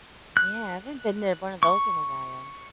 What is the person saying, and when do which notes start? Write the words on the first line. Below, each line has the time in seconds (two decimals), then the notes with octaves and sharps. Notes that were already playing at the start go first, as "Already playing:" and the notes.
Yeah, I haven't been there in one of those in a while.
0.37 F#6
1.63 C#6